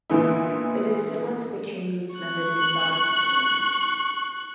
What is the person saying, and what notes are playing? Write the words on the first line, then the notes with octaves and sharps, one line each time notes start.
It is similar to the k-means method in data clustering.
A#2 D3 E3 B3 D#4 E4
C#6 F#6